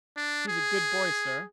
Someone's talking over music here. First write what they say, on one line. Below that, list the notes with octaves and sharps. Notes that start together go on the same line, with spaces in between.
"He's a good boy, sir."
D4
G#4